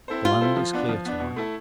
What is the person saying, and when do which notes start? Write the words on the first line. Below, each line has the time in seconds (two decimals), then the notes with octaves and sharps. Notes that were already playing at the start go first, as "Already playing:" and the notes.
The land is clear to-night.
0.08 C4 E4 A4 C5
0.25 G3 F4
0.41 C4 E4 A4 C5
0.57 F3
0.73 B3 D4
0.89 F3
1.05 B3 D4
1.20 B2
1.36 A3 E4 A4